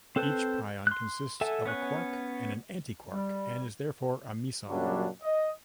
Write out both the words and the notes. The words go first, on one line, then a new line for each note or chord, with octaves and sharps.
Each pion consists of a quark and an antiquark and is therefore a meson.
C4 A4 B4 C5 A5
C6 F#6
A4 E5 F#5 G#5 A5
B3 C#4 C#5 G#5 F#6
G3
F#2 A#2 C#3 F#3 G3 D4
D#5